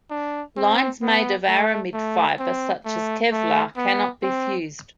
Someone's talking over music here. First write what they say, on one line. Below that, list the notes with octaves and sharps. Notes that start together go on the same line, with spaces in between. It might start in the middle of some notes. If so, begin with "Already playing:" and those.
Lines made of aramid fiber such as Kevlar cannot be fused.
D4
C4
B3
A3
A3
C4
A3
A3
B3
C4